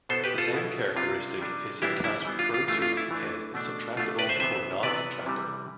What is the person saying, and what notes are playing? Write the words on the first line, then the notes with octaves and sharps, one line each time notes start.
The same characteristic is sometimes referred to as subtractable or non-subtractable.
B2 B3 E4 A4 C5
G4 B4
F4 A4
B2 B3 E4
C3 G3 D4 F4
C3 G3 D4
E3 G3 B3 D4 E4 G4
E4
E3 G3 B3 D4
F4
F4
E3 A3 D4 F4
F4
E4
E3 A3 D4
B2 A3 D4
B2 A3 D4 F4
B4 D5
C5 E5
C3 E3 B3 C5 E5
C3 E3 B3 B4 D5
C3 E3 G3